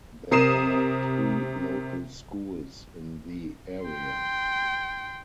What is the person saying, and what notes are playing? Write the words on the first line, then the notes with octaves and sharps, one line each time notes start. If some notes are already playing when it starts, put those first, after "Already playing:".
There are three local schools in the area.
C3 A#4 D#6 C7 D#7 E7
G5 C6